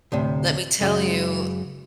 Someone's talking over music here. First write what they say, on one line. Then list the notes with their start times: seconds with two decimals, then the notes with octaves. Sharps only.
let me tell you,
0.12 D2 A2 C3
0.81 F#2 C#3 G#3